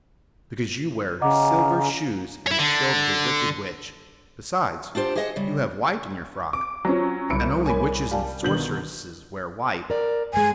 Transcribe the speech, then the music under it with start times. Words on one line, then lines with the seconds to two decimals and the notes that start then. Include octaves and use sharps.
"Because you wear silver shoes and have killed the Wicked Witch. Besides, you have white in your frock, and only witches and sorceresses wear white."
1.21 C#3 D#5 F#5 A#5 D6
2.47 E4 C#5
2.59 D3
4.95 D4 F4 G4 C5
5.15 G4 G#4 C5 D#5 E5 F#5
5.36 C#3 G3
6.53 D6
6.85 F#3 C#4 F4 C5 C#5
7.30 F#1 C2 B5 E6 C#7 D7
7.66 A#4 C#5 G#5 B5
8.11 G3 F5 G#5 A5
8.43 B2 D3 D#3 G6 F#7
9.90 A#4 D5
10.33 G2 G#3 G#5